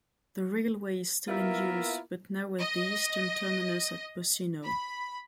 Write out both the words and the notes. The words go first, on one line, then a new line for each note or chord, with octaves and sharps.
The railway is still in use, but now with the eastern terminus at Pocinho.
A#3 B3 E4 F4 A#4 E5
D#5
B5